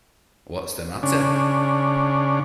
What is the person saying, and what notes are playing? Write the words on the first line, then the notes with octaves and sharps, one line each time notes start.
What’s the matter?
C#3 D4